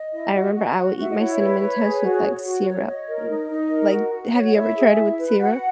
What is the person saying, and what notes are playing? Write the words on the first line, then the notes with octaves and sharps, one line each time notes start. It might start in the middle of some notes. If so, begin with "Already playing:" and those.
I remember I would eat my cinnamon toast with, like, syrup, and, like, have you ever tried it with syrup?
Already playing: D#5
E4
F#4
F#4
F#4
F#4 E5
D#5
E4 C#5
B4
B4
G#4
F#4
C#5
F#4
C#5
C#5 D#5
A#4
D#4
D#4
A#4
F#4
F#4
C#5
F#5
E4 E5
G#4
E4
B4
F#4 F#5